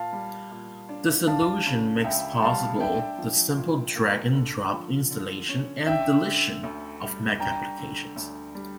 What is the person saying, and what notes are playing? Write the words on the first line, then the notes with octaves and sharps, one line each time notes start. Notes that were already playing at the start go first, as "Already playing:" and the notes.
This illusion makes possible the simple drag-and-drop installation and deletion of Mac applications.
Already playing: A#2 F5 A5
G3
A#2
D4
D4 F5 A5
C#3
C#2 E5 G5
G3 F5 A5
D4 E5 G5
F3
A#2
A#3
D3
F3
D3
C#4
D4 E5 G5
D3
D2
G3
D4 G5 A#5
D3
D2
G3